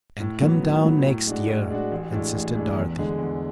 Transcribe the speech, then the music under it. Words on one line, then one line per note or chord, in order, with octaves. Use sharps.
"And come down next year," insisted Dorothy.
A2
F#3 B3
A2
F#3 B3
A2
G#3 D4 F#4
A2
G#3 D4 F#4
A1
A2 G#3 D4
A1
A2 G#3 D4
E2
D3 G#3
E2